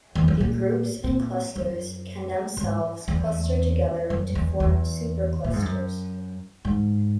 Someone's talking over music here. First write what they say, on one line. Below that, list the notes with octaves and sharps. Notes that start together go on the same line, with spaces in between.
The groups and clusters can themselves cluster together to form superclusters.
E2
F#2
A#2
A#2
F#2
G#2
E2
F#2
E2
E2
A#2
G#2
F#2
G#2